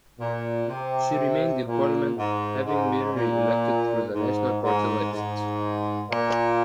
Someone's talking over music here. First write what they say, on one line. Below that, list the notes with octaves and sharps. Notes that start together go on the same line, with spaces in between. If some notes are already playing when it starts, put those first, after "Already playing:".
She remained in Parliament, having been re-elected through the National Party list.
A#2
C3
A#2
G#2
G#2
A#2
G#2
G#2
G#2
A#2